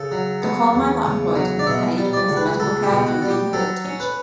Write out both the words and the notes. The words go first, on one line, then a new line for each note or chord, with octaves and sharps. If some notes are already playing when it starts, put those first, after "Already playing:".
The coalmine that employed him paid for his medical care and rehabilitation.
Already playing: C#3 A4
F#3
B3
E2
C#3
F#3
D5
B2 E5
G3
D5
C#2
B4
C#2 A4
G4
B2
F#4
G3
G4
F#3 A4
C#4
B4